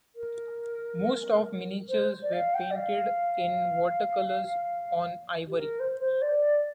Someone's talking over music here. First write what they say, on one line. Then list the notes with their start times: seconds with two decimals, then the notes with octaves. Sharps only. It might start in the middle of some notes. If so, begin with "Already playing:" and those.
Most of miniatures were painted in watercolors on ivory.
0.15 A#4
1.89 C5
2.22 D5
2.32 F5
2.54 G5
2.70 D5
2.75 F5
5.47 G4
5.57 A#4
5.79 C5
6.00 C5
6.21 D5